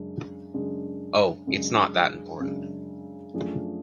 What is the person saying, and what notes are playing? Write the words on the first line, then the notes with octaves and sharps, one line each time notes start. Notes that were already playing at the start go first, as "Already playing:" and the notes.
Oh, it’s not that important.
Already playing: F#2 C#3 G#3 D4
F#2 C#3 G#3 D4
F#2 C#3 G#3 D4
F#2 C#3 G#3 D4
F#2 F3 A3 D4 G#4